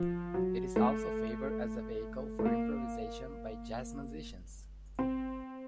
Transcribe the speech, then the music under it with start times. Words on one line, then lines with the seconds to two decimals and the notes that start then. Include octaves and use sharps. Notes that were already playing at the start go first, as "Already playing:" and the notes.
It is also favored as a vehicle for improvisation by jazz musicians.
Already playing: F3
0.34 F#3
0.76 A3
2.39 A3
2.45 A#3
4.99 C4